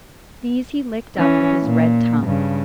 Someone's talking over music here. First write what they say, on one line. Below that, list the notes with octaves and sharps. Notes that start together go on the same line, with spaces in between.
These he licked up with his red tongue.
E3 C#4
A#2
G2 C#3